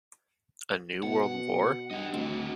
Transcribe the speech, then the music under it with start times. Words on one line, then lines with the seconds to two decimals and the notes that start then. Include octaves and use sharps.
A New World War?
1.03 B2 F#5
1.91 G2 G4 D#5
2.13 D2 C4 F#4